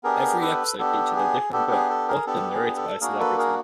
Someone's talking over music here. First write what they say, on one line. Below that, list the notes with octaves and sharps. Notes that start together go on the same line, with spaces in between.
Every episode featured a different book, often narrated by a celebrity.
B3 D4 G4 G#4 A#4
A4 B4
B3 D4 G4 A4
G#4
B3 D4 G4 A4
G#4
A4
G#4 A#4
B3 D4 G4 A4
G#4
A4
A#3 D4 F#4 G#4 A#4
A4 B4
G#4 A#4